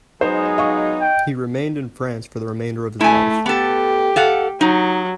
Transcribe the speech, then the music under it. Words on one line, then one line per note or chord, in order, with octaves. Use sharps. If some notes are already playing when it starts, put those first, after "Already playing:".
He remained in France for the remainder of his life.
F#3 G#3 B3 D#4 G#4 C5
D#5 F5 C#6
G5
A3 E4 G#5
B3 G4 A4
A4 F5 F#5
F#3 D#4